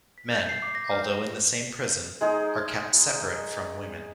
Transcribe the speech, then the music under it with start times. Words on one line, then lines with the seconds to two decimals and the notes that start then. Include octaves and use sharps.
Men, although in the same prison, are kept separate from women.
0.18 B6
0.33 G6
0.49 C7
0.62 D6
0.75 A#6
0.91 F6
2.21 G#3 D#4 G#4